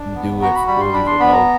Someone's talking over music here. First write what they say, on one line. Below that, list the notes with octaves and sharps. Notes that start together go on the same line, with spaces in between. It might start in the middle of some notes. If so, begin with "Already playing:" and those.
do it fully remote.
Already playing: D4
B3
F#4 A#5
B5
G3 B5
C6
D4 B5
C6
B3 B5
A#5